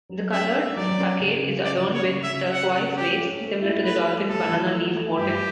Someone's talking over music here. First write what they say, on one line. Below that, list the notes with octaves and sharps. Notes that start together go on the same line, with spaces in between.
The colored facade is adorned with turquoise waves similar to the Dolphin's banana-leaf motif.
F#3
C#4 E5
C#4
F#3 D5
C#4
C#3
C#3
C#3 D5
C#3
C#5
C#3
E5
C#3
C#4 F#5
C#3
C#4 G4
C#4
A3
E4
A3 B4
A3
A3 A4
E3
A3
A3
G2 G4